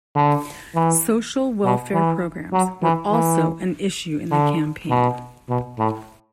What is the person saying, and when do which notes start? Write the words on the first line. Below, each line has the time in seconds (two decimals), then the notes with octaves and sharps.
Social welfare programs were also an issue in the campaign.
0.15 D3
0.75 E3
1.65 B2
1.93 E3
2.53 F#3
2.83 E3
3.12 E3
4.31 D3
4.90 B2
5.49 B2
5.79 A2